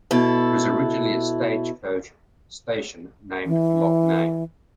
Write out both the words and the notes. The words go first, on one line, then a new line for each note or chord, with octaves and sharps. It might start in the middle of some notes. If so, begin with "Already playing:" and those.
It was originally a stagecoach station named Locknane.
B2 E4 A4
E3